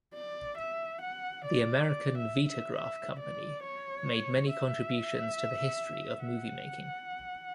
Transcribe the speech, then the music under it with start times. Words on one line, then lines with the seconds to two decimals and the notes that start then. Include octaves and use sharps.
The American Vitagraph Company made many contributions to the history of movie-making.
0.14 D5
0.58 E5
1.02 F#5
1.45 D5
1.89 D5
2.18 E5
2.48 E5
2.76 E5
3.20 D5
3.63 C#5
4.50 E5
6.24 F#5